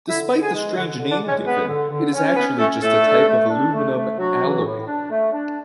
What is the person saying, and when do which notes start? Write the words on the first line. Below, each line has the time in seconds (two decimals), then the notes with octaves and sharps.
Despite the strange name given, it is actually just a type of aluminium alloy.
0.08 D3 E4 E5
0.31 D3
0.42 G#4 G#5
0.54 G#3
0.77 D3 F#4 F#5
1.00 D3
1.10 D4 D5
1.22 G#3
1.28 C#4 C#5
1.45 G#3 B3 B4
1.68 D3
1.91 D3
2.14 C#4
2.36 B3 C#4 B4
2.59 A3 C#4 A4
2.82 A2 A3 A4
3.04 D4
3.28 A3
3.50 D4
3.74 A3
3.95 A3
4.18 F#3 D4 F#4
4.42 E3
4.64 A2
4.87 D4
5.10 A3
5.33 D4